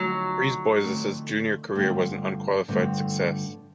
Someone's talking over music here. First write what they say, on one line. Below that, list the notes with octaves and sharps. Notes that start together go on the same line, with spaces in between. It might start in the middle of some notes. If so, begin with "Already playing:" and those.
Brisebois's junior career was an unqualified success.
Already playing: D3 F3 F#3 A3 C4 D#4
D3 F3 A3 C4 D#4
G2 D3 F3 A3 C4
G2 D3 F3 A3 C4